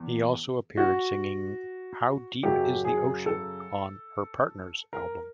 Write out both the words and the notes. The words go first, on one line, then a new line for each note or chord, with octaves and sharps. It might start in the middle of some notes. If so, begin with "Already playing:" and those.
He also appeared singing "How Deep is the Ocean" on her "Partners" album.
Already playing: E2
F#4
F#2 C#3 F#3 G4
G#4
A4
A#4